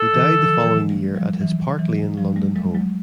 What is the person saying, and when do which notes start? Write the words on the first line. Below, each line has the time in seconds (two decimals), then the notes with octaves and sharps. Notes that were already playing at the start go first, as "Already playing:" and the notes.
He died the following year at his Park Lane London home.
Already playing: A4
0.13 D3 E3
0.39 D#3 F3
0.64 E3 F#3
0.90 G3 A3
1.16 F3 G3
1.41 E3 F#3
1.79 E3 F#3
2.17 F3 G3
2.36 G3 A3
2.56 F#3 G#3
2.75 F#3 G#3